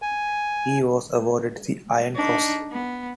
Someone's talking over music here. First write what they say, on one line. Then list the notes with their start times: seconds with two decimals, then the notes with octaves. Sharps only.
He was awarded the Iron Cross.
0.02 G#5
2.16 D4 D#4
2.72 B3